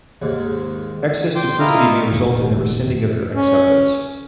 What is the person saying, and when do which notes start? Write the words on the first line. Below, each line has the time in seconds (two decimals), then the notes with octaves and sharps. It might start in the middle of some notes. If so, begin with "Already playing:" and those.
Excess duplicity may result in the rescinding of your acceptance.
0.22 D#2 G#2
1.36 G5 C6 D6
1.59 E4 F4 A#4 D#5 F6
1.92 C#6
2.12 F1 A#2 D#3
3.30 C#4